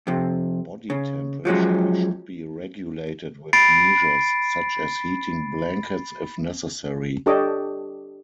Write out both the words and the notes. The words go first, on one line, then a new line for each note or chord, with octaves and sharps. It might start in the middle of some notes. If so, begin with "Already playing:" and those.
Body temperature should be regulated with measures such as heating blankets if necessary.
F2 C3
C#3
F3 F#3 G#3 C#4
B5 A6 C7 D7
D4 G4 A4 C#5 D#5 D6